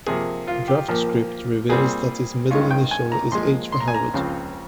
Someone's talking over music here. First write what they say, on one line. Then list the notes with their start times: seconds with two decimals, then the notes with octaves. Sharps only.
A draft script reveals that his middle initial is "H" for "Howard".
0.07 C3 F3 A#3 G#4
0.48 F4
0.68 G4
0.88 A#2 F3 A#3
1.69 A#2 G3 C4 G#4
2.50 G2 D#3 G#3 C#4 F4
2.71 G5
2.91 G#5
3.12 A#5
3.32 A#2 F3 G#3 C6
3.72 C6
3.80 A#5
3.88 G#5
3.94 A#5
4.14 C#2 C#3 F3 C4